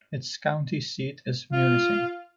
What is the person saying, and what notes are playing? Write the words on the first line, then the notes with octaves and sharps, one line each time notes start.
Its county seat is Munising.
F4